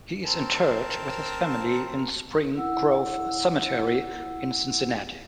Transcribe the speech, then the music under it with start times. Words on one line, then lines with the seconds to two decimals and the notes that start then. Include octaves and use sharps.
He is interred with his family in Spring Grove Cemetery in Cincinnati.
0.24 C4 A#4 A5
2.55 E4 F#5 E6